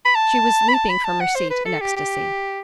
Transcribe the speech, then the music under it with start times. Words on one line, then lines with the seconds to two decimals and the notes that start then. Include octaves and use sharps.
She was leaping from her seat in ecstasy.
0.05 B5
0.15 A5
0.69 B5
0.74 A5
0.89 B5
1.05 A5
1.21 F#5
1.36 C5
1.51 B4
1.65 A4
1.81 G4
1.97 G4